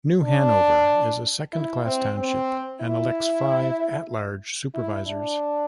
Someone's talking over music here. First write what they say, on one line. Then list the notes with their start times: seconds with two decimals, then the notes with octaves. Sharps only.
New Hanover is a second-class township and elects five at-large supervisors.
0.24 D4
1.53 E4
1.85 C4
2.17 C4
2.81 E4
4.75 E4
5.07 D4